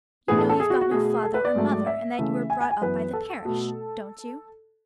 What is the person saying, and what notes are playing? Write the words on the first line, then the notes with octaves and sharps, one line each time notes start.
'You know you've got no father or mother, and that you were brought up by the parish, don't you?'
A2 E3 B3 G#4
A4
A4
G#4
F#4
F#4
B2 A3 G#4
A4
B4
D5
G#2 F#3 A3
E5
C#3 E3 A3
G#5
G#5
G#5
F#2 E3 B3 B4
A4
B2 A3